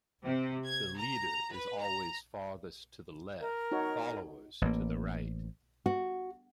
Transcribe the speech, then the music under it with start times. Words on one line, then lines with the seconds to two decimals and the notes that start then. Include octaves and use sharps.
The leader is always farthest to the left, followers to the right.
0.24 C3
0.65 G#6
0.97 A#5
1.52 B4
1.82 A#5
3.40 A#4
3.72 D#4 F#4 C#5
4.62 A1 A#3
5.86 F#4